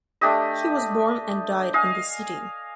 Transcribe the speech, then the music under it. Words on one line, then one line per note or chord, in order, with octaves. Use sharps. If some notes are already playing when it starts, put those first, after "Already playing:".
He was born and died in the city.
A3 D4 G4 D#5
D#5 F5 G#5